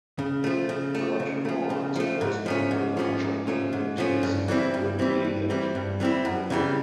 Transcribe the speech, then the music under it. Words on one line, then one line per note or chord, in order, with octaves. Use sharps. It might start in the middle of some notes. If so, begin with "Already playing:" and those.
Codnor is close to the larger communities of Ripley and Heanor.
C#3
F3 A3
C#3
F3 A3
C#3
F3 A3
C#3
F3 A3
G#2
F3 A3 C#4
G#2
F3 A3 C#4
G#2
F3 A3 C#4
G#2
F3 A3 C#4
G2
E3 G3 C4 E4
G2
E3 G3 C4 E4
G2
E3 G3 C4 E4
G2
E3 G3 C4 E4
F#2
C#3 E3 G3